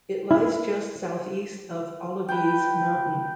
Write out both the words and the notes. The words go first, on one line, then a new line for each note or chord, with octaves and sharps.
It lies just South-East of Olivee's Mountain.
E4
B4 G5